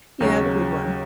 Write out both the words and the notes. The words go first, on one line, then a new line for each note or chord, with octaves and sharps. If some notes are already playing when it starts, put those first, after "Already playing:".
You have a good one.
D#2 C#3 F#3 C#4